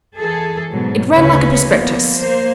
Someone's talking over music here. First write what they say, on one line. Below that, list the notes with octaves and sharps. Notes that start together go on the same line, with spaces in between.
It ran like a prospectus.
E3 G#4 A4
G#2 B2 F#3
D2 C#3 C#4 B4
F3 A#3 B3
A#3 C5